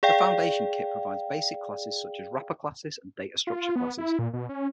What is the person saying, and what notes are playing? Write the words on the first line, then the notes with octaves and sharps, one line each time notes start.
The Foundation Kit provides basic classes such as wrapper classes and data structure classes.
G#4 D5 F5 G5
F4
B3
E4
A#2
B2
C#4